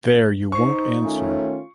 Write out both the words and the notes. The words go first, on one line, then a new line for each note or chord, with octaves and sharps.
There, you won’t answer.
D#4 C5 C#6 C7
D#3 A3 C#4 F4